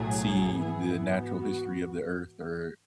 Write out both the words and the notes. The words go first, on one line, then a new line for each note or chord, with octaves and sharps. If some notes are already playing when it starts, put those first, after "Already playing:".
see the natural history of the earth or,
Already playing: B1 A2 F#3 G#4
G#2 E3 B3 E4 G#4
E4
F#4